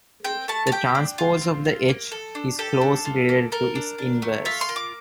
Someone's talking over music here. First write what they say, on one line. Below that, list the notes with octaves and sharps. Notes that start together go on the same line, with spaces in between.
The transpose of "H" is closely related to its inverse.
C4 G5
A3 A5
A5
G4 G5
D4
F4
C4
F4
A#3
A4
D4
G4 A4
D4
F4
A#3
A4 A#4
D4
D4
A3
F4 E5
C6
A#3
D6